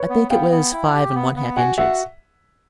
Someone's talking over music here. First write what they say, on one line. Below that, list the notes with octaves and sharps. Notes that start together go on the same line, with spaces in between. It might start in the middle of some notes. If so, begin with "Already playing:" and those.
I think it was five and one-half inches.
Already playing: B4 C#5
B3
B3 F5 G5
B3
E4
G4
B3
B3
F#4 F#5 G#5
F#4 E5 F#5